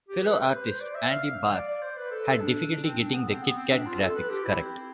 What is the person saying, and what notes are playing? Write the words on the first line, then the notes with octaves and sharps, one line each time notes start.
Fellow artist Andy Bass had difficulty getting the Kit-Kat graphics correct.
G4
B4
B4
C5
B4
C5
D5
E5
F5
D5
D5
C5
B4
A4
A4
D4
C4
D4
B3
C4
B3
C4
D4
F4
A4
B4
G4
E4
C4